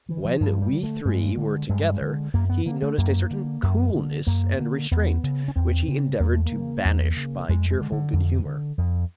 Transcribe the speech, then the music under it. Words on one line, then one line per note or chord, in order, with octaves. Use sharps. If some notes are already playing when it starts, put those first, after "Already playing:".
When we three were together, he noticed a certain coldness and restraint which he endeavored to banish by cheerful good humor.
D3 E3
F3
G2 F3
G3
D3
A3
G2 G#3
D3
G2 G#3
D3
F#2 A#3
B3
D3 A#3
A3
F#2 A#3
D3
F#2
D3
F#2 A#3
D3
E2 B3
C#3
C#4
E2 C4
C#3
E2 A#3
A3
A#3
C#3
E2
C#3
F2 G#3
G#3
D3
D3
F2
D3
F2